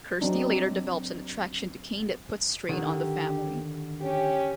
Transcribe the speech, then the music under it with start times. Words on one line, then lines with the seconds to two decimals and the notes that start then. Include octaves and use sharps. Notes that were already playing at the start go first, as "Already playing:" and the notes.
Kirsty later develops an attraction to Kane that puts strain on the family.
0.21 F#3 C4 D4 D#4
2.69 D3 D#3 G4
4.01 C#4 G4